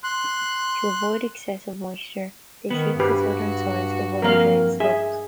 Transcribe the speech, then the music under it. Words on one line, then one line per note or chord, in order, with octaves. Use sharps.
To avoid excessive moisture, they seek the southern side of well drained slopes.
C6 F#6
D#3 B3
G2 F#4 G4 B4
F2 A#3 A#4 F5
G#4 E5